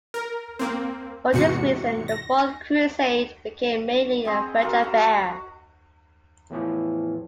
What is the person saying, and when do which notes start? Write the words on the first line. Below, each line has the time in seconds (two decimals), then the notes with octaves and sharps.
For this reason, the Fourth Crusade became mainly a French affair.
0.14 A#4
0.59 A#3 C4
1.33 E2 G#2 C3 F#4 C#7
2.08 A#6
4.24 C4 G#4 D#5 B5
4.62 F#4 A4 A#4
4.82 F#4 A#5 B5
5.20 F#5
6.50 E2 A2 E3 F3